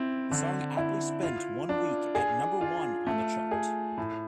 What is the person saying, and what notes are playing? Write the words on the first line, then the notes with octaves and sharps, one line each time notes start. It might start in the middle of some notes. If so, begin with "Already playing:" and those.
The song aptly spent one week at number one on the chart.
Already playing: C4 E4
D3
E4
F4
D4
G#4
F4
A3
G#4
A2